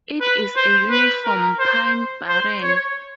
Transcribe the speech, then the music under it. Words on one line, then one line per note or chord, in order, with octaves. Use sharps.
It is a uniform pine barren.
B4
C5
B4
A#4
C5
C5
C#5